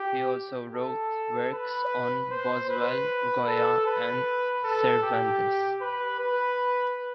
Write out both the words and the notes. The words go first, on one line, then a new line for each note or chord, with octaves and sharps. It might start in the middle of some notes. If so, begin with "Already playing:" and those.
He also wrote works on Boswell, Goya and Cervantes.
Already playing: G4
A4
B4
C5
B4
A4
B4
A4
G4
B4
B4